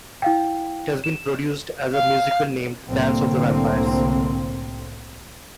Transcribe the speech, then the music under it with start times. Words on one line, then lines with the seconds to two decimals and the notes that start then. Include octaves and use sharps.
It has been produced as a musical named "Dance of the Vampires".
0.22 E4 F5 G5
1.04 E7
1.95 F5
2.87 C2 A2 D3 A#3 C4